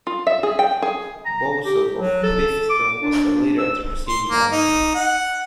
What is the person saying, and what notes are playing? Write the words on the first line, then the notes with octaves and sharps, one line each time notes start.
Boso of Vitzthum was the leader of the crusading army.
F4
E5
G#4
G5
G#4
A#5
G4
F#3
A4
D6
D4
E6
C6
A#3
D#4
F#5